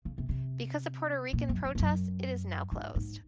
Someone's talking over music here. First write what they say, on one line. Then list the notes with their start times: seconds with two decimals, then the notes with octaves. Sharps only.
Because of Puerto Rican protests, it is now closed.
0.05 C#3
0.18 C3
0.29 C3
1.33 A#2
1.49 F#2
1.64 F2
1.75 G#2
1.79 F#2
2.72 G#2
2.95 G#2